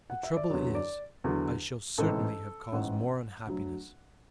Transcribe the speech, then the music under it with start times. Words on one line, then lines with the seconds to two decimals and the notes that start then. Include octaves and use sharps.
The trouble is I shall certainly have caused more unhappiness....
0.10 F#5
0.23 E5
0.37 D5
0.50 E2 D3 F#3 C#5
0.75 D5
1.24 E2 D3 F#3
1.98 A1 G#2 E3 A4
2.72 A1 G#2 E3 F#5
3.47 D2 D3 F#3